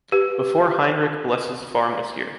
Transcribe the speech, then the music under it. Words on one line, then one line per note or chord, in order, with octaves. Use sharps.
Before Heinrich Blesse’s farm was here.
G4 B4